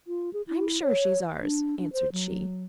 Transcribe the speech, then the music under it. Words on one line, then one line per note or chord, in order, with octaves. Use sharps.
"I am sure she is ours," answered she.
F4
G#4
E4
C#5
D4
D4
C5
F#3